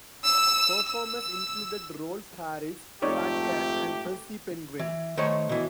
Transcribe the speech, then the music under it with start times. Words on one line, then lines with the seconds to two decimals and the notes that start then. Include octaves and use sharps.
Performers included Rolf Harris, Fat Cat and Percy Penguin.
0.23 E6
0.89 E6
3.02 F2 G#2 A3 D#4 G4 C#5 D5
4.79 E3
5.17 D#3 A3 C5 C#5
5.49 B2 E3